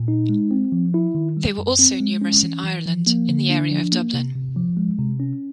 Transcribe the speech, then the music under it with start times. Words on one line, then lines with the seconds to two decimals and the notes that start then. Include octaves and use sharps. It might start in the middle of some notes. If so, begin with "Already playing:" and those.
They were also numerous in Ireland, in the area of Dublin.
Already playing: A#2
0.08 D#4
0.29 G#3
0.51 C4
0.72 F3
0.94 E4
1.15 D#3
1.37 G3
1.58 F#2
1.79 C4
2.00 G#3
2.22 C#4
2.43 E3
2.64 E3
2.86 F3
3.07 A#3
3.29 D3
3.50 D4
3.71 F3
3.92 A#3
4.14 C3
4.35 C3
4.57 F3
4.77 G#3
4.99 C3
5.20 C#4